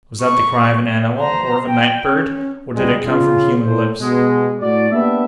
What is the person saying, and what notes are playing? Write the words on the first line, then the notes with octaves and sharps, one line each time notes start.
Was that the cry of an animal or of a night-bird, or did it come from human lips?
C#6
C5 A#5
G5
C#4
C#2 B2 G3 G#3
C#3 F4
A2 C5
B2 G#3
A2 F#4 D5
A#3 B3 D4 G4 E5